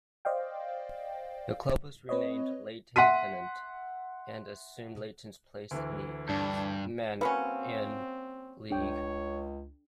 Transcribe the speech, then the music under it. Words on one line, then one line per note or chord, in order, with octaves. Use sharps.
The club was renamed Leyton Pennant, and assumed Leyton's place in the Isthmian League.
C5 D5 D#5 F5 G5
C4 B4 C#5 D#5
E5 F#5 C6 B6 D#7
D2 D3 E3
G2 D4
F#3 A#3 C4 C#4 B4 F5 B5
C#2 D4 C#5 G5